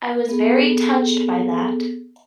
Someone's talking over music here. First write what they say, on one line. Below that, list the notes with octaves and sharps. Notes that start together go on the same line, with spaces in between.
I was very touched by that.
B3 G#4 A4